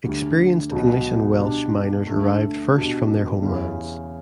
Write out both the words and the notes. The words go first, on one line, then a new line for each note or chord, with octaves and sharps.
Experienced English and Welsh miners arrived first from their home lands.
D2 D3 G3
C#2 B2 F#3
B2 G3 D4
D2 D3 A3
B2 G3 D4 F#4
E2 C#3 E3 G3 C#4